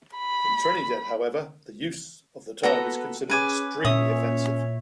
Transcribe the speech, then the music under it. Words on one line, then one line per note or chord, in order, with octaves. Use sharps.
In Trinidad, however, use of the term is considered extremely offensive.
B5
B3 F#4 A4 B4 A#5
C#4 G#4 B4 G#5 D6
A#2 C#5 E5 D#6